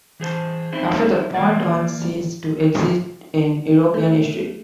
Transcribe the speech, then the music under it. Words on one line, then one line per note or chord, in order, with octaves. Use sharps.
After that point, Huns cease to exist in European history.
E3 G#4 C5 A5
C4 D#4 E4 C5
E3 F3 A#3 A#4 D5
A3